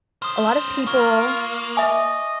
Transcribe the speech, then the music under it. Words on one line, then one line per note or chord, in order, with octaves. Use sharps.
a lot of people,
C#4 C5 D#6 F6
A#3 F4 C#6
D#5 E5 G#5 D6